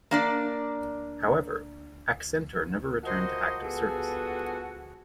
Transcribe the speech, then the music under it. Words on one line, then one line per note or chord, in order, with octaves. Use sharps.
However, "Accentor" never returned to active service.
A#3 D4 D5
F3 G3 F#4 A#4 C5 D#5
B3 G#4 A4